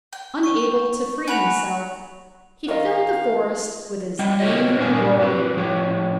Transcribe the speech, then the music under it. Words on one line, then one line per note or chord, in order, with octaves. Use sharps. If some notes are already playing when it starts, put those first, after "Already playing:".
Unable to free himself, he filled the forest with his angry roaring.
G5
C#6 D#7
F#4 G#5 B5 F7
D#3 F4 D#5 F5
G3 D#5 G5
F#4 G4 C#5 D#5
G2 A#2 D4 A#4 F5 G#5
F#4 G4 B4
A2 F3 G4 C#5